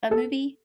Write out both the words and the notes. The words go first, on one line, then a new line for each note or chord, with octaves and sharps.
a movie?
A4